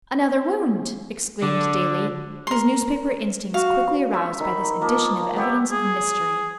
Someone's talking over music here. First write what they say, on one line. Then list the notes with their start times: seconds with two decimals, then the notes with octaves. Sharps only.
"Another wound!" exclaimed Daley, his newspaper instincts quickly aroused by this addition of evidence of mystery.
1.43 D3 D5
2.47 A#4 C6
3.54 F#4 F5
4.14 E5 C#6
4.40 D#3 B5
4.81 F3 A#3
5.37 B3 G4 C#5 E5
5.71 G#4